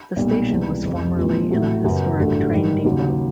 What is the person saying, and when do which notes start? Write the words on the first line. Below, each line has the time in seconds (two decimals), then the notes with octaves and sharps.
The station was formerly in a historic train depot.
0.16 B1 A#2 G3
0.50 C#2 C3 E3 G3
0.83 F1 F2 C3
1.17 A#2 F3 G#3 C4 F4
1.50 A1 A2 F#3 A3
1.84 F#2 C#3 F#3 B3
2.18 A1 G2 D3 F#3 A3
2.51 G#2 D#3 G3
2.84 D#2 C#3 F#3